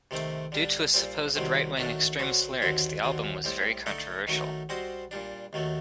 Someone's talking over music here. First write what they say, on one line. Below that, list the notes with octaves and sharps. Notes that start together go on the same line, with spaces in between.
Due to supposed right-wing extremist lyrics, the album was very controversial.
C3 D#3 A3 C4
D3 G3 D4
A#2 G3 C4
C2 C3 D#3 F#3 C4
D#3 F#3 A3 D4
D3 F#3 C4 F#4
D#2 D3 F#3 C4 F#4
D#2 D3 F#3 C4
A2 G3 C4 G4
D3 A3 D#4 A4 D#5
D#3 F#3 A3 D#4
G3 C4 F#4 C5 D#5
A#2 G3 D4
D#2 D#3 F#3 A3